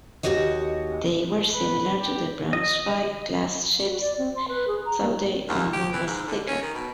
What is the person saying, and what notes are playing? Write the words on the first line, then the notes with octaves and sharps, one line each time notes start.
They were similar to the "Braunschweig"-class ships, though their armor was thicker.
D#2 F#3 F#4 G4 C#5 D#5
B4
G4
D#5
F#4
D5
C4
C6
B4
G#4
A#5
A#3
D#2
G4
E3
G#2
D3
C#4
D#3
B2